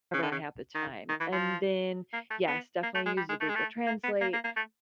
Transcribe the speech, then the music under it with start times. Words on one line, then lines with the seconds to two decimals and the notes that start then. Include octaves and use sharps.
I have the time and then yes, definitely use the Google Translate.
0.14 C#3
0.23 D3
0.32 C#3
0.75 D#3
1.09 D#3
1.20 E3
1.32 F3
2.13 A#3
2.31 A3
2.48 B3
2.83 A#3
2.95 A3
3.06 G#3
3.17 G3
3.29 G#3
3.40 A3
3.49 G#3
3.55 A3
3.87 A#3
4.04 B3
4.21 A#3
4.33 A#3
4.44 A#3
4.57 A3